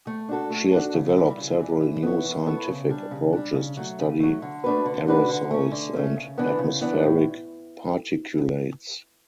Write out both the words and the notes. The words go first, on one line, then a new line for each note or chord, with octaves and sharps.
She has developed several new scientific approaches to study aerosols and atmospheric particulates.
A3
D4 F#4 A4
A3
D4 F#4 A4
C#3
E3 G3
C#3
E3 G3
E3
B3 E4 A4 C#5
E3
B3 E4 A4 C#5
C#3
G3 D4
C#3
G3 D4
C#3
F#3 A3
C#3
F#3 A3
D3
A3 D4 F#4 B4
D3
A3 D4 F#4 B4
D3
A3 C#4
D3
A3 C#4
C#3
E3 B3 D4
C#3
E3 B3 D4
A2